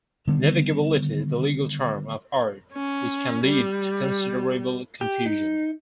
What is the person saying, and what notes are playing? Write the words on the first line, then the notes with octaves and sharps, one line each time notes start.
'Navigability' is a legal term of art, which can lead to considerable confusion.
D3 D#3 G3 B3
C#4
G3
G4
D#4